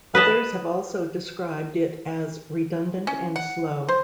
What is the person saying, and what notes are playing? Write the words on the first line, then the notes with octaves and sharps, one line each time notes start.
Others have also described it as redundant and slow.
B4 D#5 A5
C#4
F#5
C5